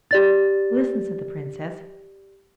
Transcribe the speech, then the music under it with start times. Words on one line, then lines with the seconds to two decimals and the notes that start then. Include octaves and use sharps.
'Listen!' said the Princess.
0.11 G4 D5 A6